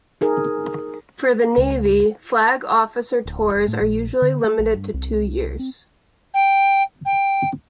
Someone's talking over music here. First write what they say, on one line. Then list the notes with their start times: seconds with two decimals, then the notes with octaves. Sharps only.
For the Navy, flag officer tours are usually limited to two-years.
0.21 D#4 G#4 A#4
1.58 C#2
3.25 D1
3.55 F1
3.68 A2
3.81 A#1
4.22 D3
4.44 A3
4.59 A#1
4.75 G2
4.94 C2
5.59 C4
6.34 G5
7.05 G5